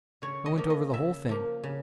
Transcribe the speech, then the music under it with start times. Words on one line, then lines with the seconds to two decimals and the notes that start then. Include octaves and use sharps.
I went over the whole thing.
0.22 C#3 C#5
0.46 D#5
0.58 F3 A#3
0.70 D#5
0.93 C#3 E5
1.29 F3 A#3
1.64 C#3